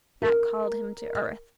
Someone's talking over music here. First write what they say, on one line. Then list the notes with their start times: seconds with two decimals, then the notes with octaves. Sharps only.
That called him to earth.
0.22 A#4